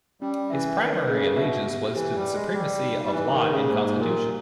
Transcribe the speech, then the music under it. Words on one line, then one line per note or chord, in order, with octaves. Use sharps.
His primary allegiance was to the supremacy of law and constitution.
G3 C#4
E3 E5
D#3 B4
C#3 G#4
B2 E5
G4
E3 G4
G3
G4
G#3
G3 G4
D#4
G3
E3 G4
D#3
G4
C#3
G#2 A#3
A#2 G4